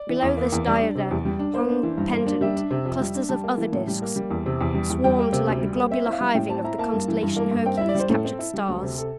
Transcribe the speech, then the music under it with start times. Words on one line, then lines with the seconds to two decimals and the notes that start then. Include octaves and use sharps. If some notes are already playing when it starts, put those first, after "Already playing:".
Below this diadem hung, pendent, clusters of other disks, swarmed like the globular hiving of the constellation Hercules' captured stars.
Already playing: D5
0.09 E3
0.23 E2
0.37 A#3
0.52 E2
0.67 G3 D5
0.81 D4
0.95 C3
1.11 E2
1.25 G3
1.39 D4
1.54 A#3 C5
1.69 D4
1.83 E3
1.98 G2
2.13 A#3
2.27 D4
2.41 G3 E5
2.57 D4
2.71 C3
2.85 F2
3.00 G3
3.14 D4
3.29 G3 A5
3.44 A#3
3.58 E3
3.73 A2
3.87 G3
4.02 A#3
4.16 G3
4.30 E2
4.46 C3
4.61 E2
4.74 G3
4.90 E2
5.04 G3 G5
5.19 A#3
5.33 C3
5.48 D2
5.62 G3
5.76 A#3
5.91 C4 E5
6.06 E4
6.13 F5
6.21 G3
6.34 A2 G5
6.49 C4 A5
6.64 E4 A#5
6.78 A#3 A5
6.93 G2
7.08 E3
7.22 G2
7.36 A#3
7.51 G2
7.66 C4 G5
7.77 E4 E5
7.89 D5
7.95 G3 C5
8.10 A2 A4
8.25 C4
8.39 E4
8.54 G3
8.69 D2
8.83 C3
8.98 A4